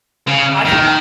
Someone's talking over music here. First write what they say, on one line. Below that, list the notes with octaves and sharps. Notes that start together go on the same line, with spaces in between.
Yeah, I think I
C#3
D#3